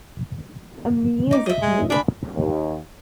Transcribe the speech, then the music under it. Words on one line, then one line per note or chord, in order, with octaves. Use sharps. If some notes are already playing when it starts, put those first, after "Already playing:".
A Music War.
D#4 D6
D#5 E5
G#3
D4 G#4 B5
D#2